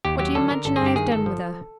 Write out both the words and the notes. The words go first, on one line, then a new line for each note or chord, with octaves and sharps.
"What do you imagine I have done with her?"
D#2 G4
F#3 G4
D3 A4
D3 A#4
G1 A4
G#4
G2 G4
D#3 G#4
G1 A4
F3